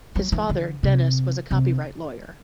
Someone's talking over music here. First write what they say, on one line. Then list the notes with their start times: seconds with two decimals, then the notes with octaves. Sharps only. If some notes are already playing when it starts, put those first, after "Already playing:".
His father, Denis, was a copyright lawyer.
0.15 F#3
0.32 E3
0.50 D3
0.83 C3
1.51 C3